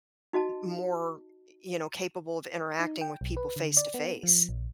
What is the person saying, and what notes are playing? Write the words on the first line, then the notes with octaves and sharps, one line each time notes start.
m more, y you know, capable of interacting with people face to face.
D#4 F#4 D#5 A5
D#4
G5
B1
B4
D3
D5
B3
F3
A#1